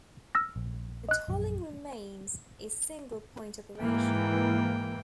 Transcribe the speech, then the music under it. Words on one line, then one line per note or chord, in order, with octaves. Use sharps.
The tolling remains a single point operation.
E6 F6 A#6
A#1
D#5 F#6
A#1 F#2
G#2 E3 A#3 G5